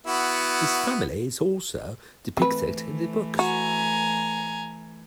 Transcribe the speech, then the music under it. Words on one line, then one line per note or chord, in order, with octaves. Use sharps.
His family is also depicted in the books.
B3 E4 F#4
E3 A3 C4 B4
F#4 G#5 A#5